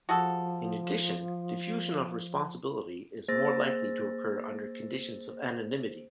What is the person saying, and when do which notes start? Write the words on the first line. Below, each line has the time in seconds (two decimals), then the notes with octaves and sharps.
In addition, diffusion of responsibility is more likely to occur under conditions of anonymity.
0.09 F3 F#4 G#4 A4
3.28 A#3 G#4 C5 E6 A6 A#6